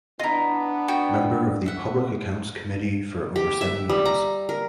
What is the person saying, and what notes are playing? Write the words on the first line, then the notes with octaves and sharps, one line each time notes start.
Member of the Public Accounts Committee for over seven years.
B3 D4 E4 F4 D#5 A#5
F#4 G5
E5 F#5
G4
E5
G3
A#5
A#4